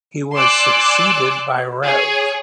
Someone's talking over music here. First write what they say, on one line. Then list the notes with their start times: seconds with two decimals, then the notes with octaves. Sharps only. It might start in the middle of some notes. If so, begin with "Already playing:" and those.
He was succeeded by Rev.
0.35 D5 G#5 C6 D6 E6 F#6
1.84 G#4 C#5